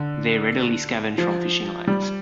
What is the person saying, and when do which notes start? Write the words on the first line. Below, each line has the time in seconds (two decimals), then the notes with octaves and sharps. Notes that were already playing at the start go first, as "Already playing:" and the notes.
They readily scavenge from fishing lines.
Already playing: D3
1.18 F3
1.87 G3